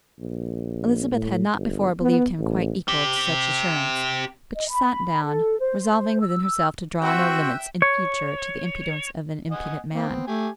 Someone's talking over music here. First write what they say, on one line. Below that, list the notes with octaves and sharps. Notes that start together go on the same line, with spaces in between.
Elizabeth had not before believed him quite equal to such assurance; but she sat down, resolving within herself to draw no limits in future to the impudence of an impudent man.
A#1
A2
G1
B3
A1
C4 G4
D#5
B5
A4
C5
E6
C4 F#4 E5 G5 E6 F#6 G6
C#5
D#5 F#5 G#5
A#3 C4
B3
A3 G4 G#5